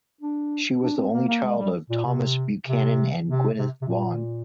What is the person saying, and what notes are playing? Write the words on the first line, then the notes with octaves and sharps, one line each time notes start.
She was the only child of Thomas Buchanan and Gwynneth Vaughan.
D4
D4
C4
A#3
A#3
G#3
G3
A#2
C3
C3
C3
C3
C3
A#2